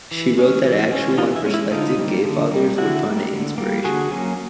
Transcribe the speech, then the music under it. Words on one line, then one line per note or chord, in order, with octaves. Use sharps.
She wrote that actual and prospective gay fathers would find it inspirational.
E3
G#3 C#4
E3
G#3 C#4
E3 D#4 F4
E4
G#3 C#4
E4
D3 D#4 F4
G3 A#3
D3
G3 A#3
D3 E4 F#4
G3 A#3
D3
G3 A#3
D3 F#4 G#4
F#3 A#3 C#4